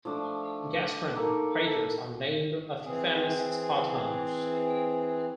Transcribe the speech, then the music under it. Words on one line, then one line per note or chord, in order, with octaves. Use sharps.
Gaspran craters are named after famous spa towns.
F3 A3 D4
A#3 D#4 A4
A4
E3 C4 G#4